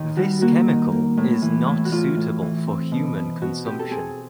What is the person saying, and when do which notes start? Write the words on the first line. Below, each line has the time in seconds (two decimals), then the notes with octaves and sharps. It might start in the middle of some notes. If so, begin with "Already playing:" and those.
This chemical is not suitable for human consumption.
Already playing: D#2 D#3
0.17 G3 F#4
0.42 A#3 F#4
0.68 D#3
0.92 A#3
1.17 A2
1.42 E3
1.66 A2
1.85 F#4
1.92 A2 F4
2.17 A2
2.42 E3
2.66 C4
2.92 B2
3.17 B2
3.41 B2 F#4
3.66 C4 G4
3.79 A4
3.91 C4 G#4